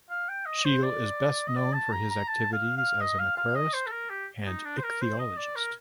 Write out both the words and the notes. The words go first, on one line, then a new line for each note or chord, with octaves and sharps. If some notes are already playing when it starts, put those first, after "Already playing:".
Scheel is best known for his activities as an aquarist and ichthyologist.
F5
G5
D#5
C5
D5
D#5
D5
A5
A#5
A#5
A5
F5
F5
D#5
F5
F5
D#5
C5
A4
A#4
G4
D#4
D4
C5
A#4
C5
D#5
D5
A#4